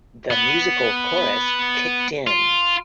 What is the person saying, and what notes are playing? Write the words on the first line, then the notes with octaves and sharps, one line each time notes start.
The musical chorus kicked in.
B3
F4